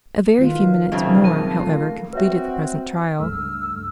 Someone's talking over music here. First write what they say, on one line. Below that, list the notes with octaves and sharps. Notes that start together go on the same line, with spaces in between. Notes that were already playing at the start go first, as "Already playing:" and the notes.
A very few minutes more, however, completed the present trial.
D#3 A3 F4 F#4 B4 D#5
B1 C#3 A#3 B3 C5 E5 G5 C#6
C4 A#4 A5
A3 F4 A4 A#4
C4 F#4 B4 C#5 E5
C#2 G2 A3 E6 F6